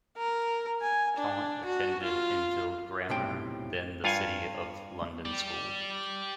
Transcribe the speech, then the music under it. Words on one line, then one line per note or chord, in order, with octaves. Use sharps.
Taunt attended Enfield Grammar, then the City of London School.
A#4
G#5
D4
F#4
F4
B1 A2 C3 G5
G2 F4 F5 F#5 G#5
G4 D5